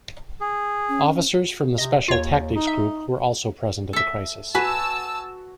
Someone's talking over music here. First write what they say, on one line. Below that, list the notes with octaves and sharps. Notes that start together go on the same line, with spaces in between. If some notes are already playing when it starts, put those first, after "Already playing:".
Officers from the Special Tactics Group were also present at the crisis.
G#4
C#4
C3 D#5
D#2 F4 C#5
D#4
E5
A4 E5
F#4 B4 G#5 A5 E6